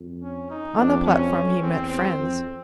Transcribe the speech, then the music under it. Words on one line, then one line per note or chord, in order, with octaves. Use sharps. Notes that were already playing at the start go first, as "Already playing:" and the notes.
On the platform he met friends.
Already playing: F2
C#4
D#4
F2 D4
C#4
E2 C4
C4
F2